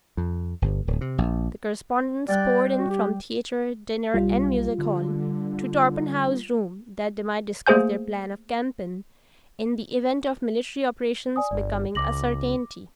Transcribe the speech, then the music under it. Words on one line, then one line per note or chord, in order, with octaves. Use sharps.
The correspondents poured in from theatre, dinner, and music-hall to Torpenhow's room that they might discuss their plan of campaign in the event of military operations becoming a certainty.
F2
G1
D1
C3
A#1
G3 D5 G5 F#6
F#4
G4
B1 G3 F4
D3
A3 A#3 G#4 C5 G#5 G6
D5 G#5 D#6
G1 D5
C#2 D6 A#6 F#7